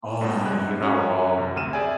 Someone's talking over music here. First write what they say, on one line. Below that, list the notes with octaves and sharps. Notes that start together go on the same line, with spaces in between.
Oh, you're not wrong.
G2 B2
C3 G3 G#3 F#6
C#4 F#4 C#5
C3
D2 C3 F6 D#7 E7
G4 G#4 D5 E5 G#5